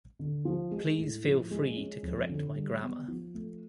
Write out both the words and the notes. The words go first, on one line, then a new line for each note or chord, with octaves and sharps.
Please feel free to correct my grammar.
D3
F3
G#3
A2
F3
G#3
C#4
F2
D3
G3
B3
F3
A3